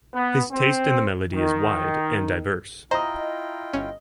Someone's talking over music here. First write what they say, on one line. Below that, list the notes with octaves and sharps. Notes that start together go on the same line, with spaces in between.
His taste in the melody is wide and diverse.
B3
C4
D#3
E4 F4 C5 D#5 G5 A#5 D#6
G1 C#4